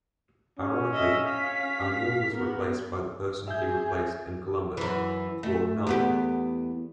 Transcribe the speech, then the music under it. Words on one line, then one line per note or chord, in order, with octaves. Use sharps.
Ironically, Arniel was replaced by the person he replaced in Columbus, Claude Noel.
C#4
D#5 E5
F5 B6
B3 A#4
G#4 E5 G6
F#2 E3
A3
E2 B3 G4